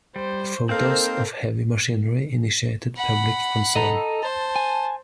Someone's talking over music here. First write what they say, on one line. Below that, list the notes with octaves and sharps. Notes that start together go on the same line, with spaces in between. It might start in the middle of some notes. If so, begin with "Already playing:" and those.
The photos of heavy machinery initiated public concern.
G3 C5
A#3 C4 D#4 A4 A#4 C5 F5
F#5 B5
A4 D#5 A#5
C5 A5
G#5